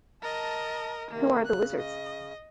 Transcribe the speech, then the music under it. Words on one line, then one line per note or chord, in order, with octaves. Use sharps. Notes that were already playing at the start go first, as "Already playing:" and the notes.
Who are the Wizards?
A#4 D#5 A5
C3 D#3 A#3
C#3 F#6
D#5